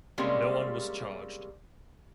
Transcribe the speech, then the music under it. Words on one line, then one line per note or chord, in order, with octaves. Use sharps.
No one was charged.
C3 G3 G#3 A#3 C#4